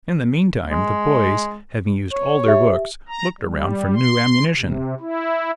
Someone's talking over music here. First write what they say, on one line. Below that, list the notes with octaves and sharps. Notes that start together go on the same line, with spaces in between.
In the meantime, the boys, having used all their books, looked around for new ammunition.
G#3
C#5
G4 E5
A#5
G3
C6
C3
E4